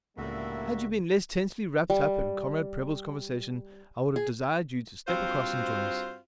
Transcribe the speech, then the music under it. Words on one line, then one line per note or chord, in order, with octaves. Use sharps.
Had you been less tensely wrapped up in Comrade Prebble's conversation, I would have desired you to step across and join us.
C#2 A2 D3 G3 A#3 F#4 E5
G3
G#4
G2 C4 F4 F#4 C5